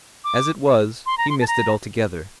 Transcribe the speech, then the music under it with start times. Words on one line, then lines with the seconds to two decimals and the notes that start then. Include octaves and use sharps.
As it was, he missed it altogether.
0.24 D6
1.06 C6
1.18 A#5
1.30 C6
1.41 A5
1.48 A#5